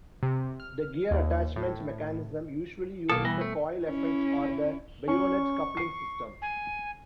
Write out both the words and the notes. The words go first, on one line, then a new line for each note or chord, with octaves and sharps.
The gear attachment mechanism usually uses the coil effect or the bayonet coupling system.
C3
F6
D#2
A2
B1 B2 A#3 A4
E3 G3 B3 A#6
A3
C#4 E4
C#4 C#6
C7
G#5